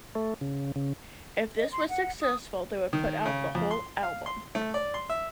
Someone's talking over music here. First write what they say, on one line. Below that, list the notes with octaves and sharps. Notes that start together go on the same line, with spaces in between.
If this was successful they would put out the whole album.
A3
C#3
C#3
D#5
C6
F#5
D#6
D#3
C#3
F2
C6
F5
C6
A3
D5
C6
E5